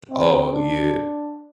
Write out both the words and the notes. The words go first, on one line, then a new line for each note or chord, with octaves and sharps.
Oh yeah.
C4
D4